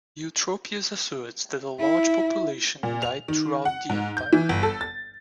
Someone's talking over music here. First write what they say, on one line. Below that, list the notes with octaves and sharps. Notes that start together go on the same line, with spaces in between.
Eutropius asserts that a large population died throughout the Empire.
E4 E5
A#2
F7
D#3
F#5
G#2
G6
E3
G1
A4
A6